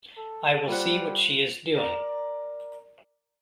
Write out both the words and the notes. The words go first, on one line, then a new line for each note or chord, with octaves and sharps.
I will see what she is doing.
A4
G3 F4 C5 F#5
A#4 D5